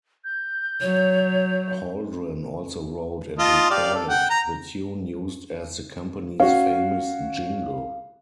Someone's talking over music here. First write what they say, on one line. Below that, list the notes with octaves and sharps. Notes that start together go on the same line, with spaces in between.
Hauldren also wrote and recorded the tune used as the company's famous jingle.
G6
F#3 C#5
F4 D#5 A5
G4 D5 F5
A4
F#5 G5
A#5
C#4 F#4 F5